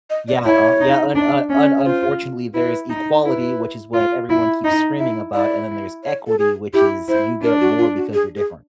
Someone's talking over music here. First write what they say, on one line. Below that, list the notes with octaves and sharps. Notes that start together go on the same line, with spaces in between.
Yeah, uh, yeah, un uh, un unfortunately there is equality, which is what everyone keeps screaming about, and then there's equity, which is you get more because you're different.
D#5
D5
E4 C#5
D#4
D4
C#4
C#5
F4 C5
E4 B4
D#4
E4 B4
F4
E4
D#4 D#5
E4 E5
E4 D5
C#5
A4
G#4
E4 G4
E4 C5
D4 A#4
F#4
F4
F#4
G#4
G#4